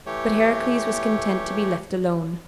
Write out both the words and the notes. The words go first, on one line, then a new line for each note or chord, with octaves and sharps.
But Heracles was content to be left alone.
E3 A3 G4 C#5